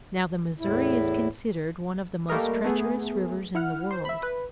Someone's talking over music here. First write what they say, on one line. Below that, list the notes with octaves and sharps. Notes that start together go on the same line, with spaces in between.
Now the Missouri is considered one of the most treacherous rivers in the world.
E2 A2 E4
G3 A3 A#3 A#4 D#5
A3 B3 G#4
E4 F#5 F6
C5
E5 B5
B4